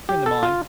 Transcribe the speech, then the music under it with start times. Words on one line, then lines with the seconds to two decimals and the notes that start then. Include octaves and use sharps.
Friend of mine.
0.09 G4
0.26 A4
0.43 F4